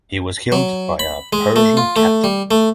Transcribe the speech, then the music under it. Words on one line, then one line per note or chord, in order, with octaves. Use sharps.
He was killed by a Persian captive.
F#3
B5
G#3
A3
F4
A3
G3
A3